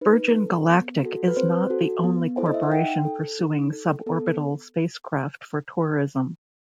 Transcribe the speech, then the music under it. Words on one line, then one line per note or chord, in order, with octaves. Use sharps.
Virgin Galactic is not the only corporation pursuing suborbital spacecraft for tourism.
D#4 B4
A4
B3
F#4 A4
B4
C4 C5
F#4 A4
B3
E4 A4 C5
D#5
E5
F#5
D#4 G5
A4
D#4
A4
B3 A4